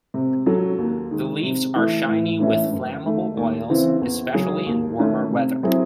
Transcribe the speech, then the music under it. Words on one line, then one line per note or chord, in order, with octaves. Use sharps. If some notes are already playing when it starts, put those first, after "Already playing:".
The leaves are shiny with flammable oils, especially in warmer weather.
C3
F#3 C#4 F#4 A4
D#2
D#3 G#3
C3
E3 A3
A2
E3 A3 C#4 E4
F#2
D#3 A3
D#2
C#3 E3 C4
E2
C#3 F#3 C#4 G#4
D#2
D#3 A3 C#4
C3
F#3 C4 E4 G#4